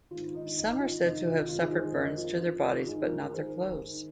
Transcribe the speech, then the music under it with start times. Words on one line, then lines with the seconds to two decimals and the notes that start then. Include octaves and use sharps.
Some are said to have suffered burns to their bodies, but not their clothes.
0.11 G#2 D#3 F4
0.34 D#4
0.57 G#2 D#3 D#4
0.80 F4
1.03 F2 C3 D#3 D#4
1.26 F4
1.49 G#2 D#3 F4
1.60 D#4 G#4
1.72 G#4 C5
1.83 G#4 C5
1.94 F2 D#3 A#4 D#5
2.18 F4
2.29 D#4
2.41 G#2 D#3 F4
2.64 F4
2.87 G#2 D#3 D#4 G#4
3.02 F4 A#4
3.18 F4 A#4
3.33 G#2 D#3 G#4 C5
3.79 G#2 D#3